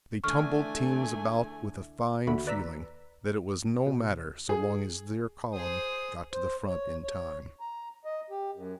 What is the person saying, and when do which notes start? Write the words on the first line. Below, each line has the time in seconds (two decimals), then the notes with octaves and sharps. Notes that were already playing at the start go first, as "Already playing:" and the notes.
They tumbled teams about with a fine feeling that it was no matter so long as their column got to the front in time.
0.24 D3 E3 A3 G#5 C#6 F6
2.27 D#2 D3 F#4 E5 B5
2.47 B4 D5 A#5 E6 B6
3.86 B2
4.49 G#4
5.54 G#4 C5 D#6
6.33 C5
6.68 C#5
7.04 C#5
7.60 A#5
8.05 D#5
8.30 G4
8.55 F#2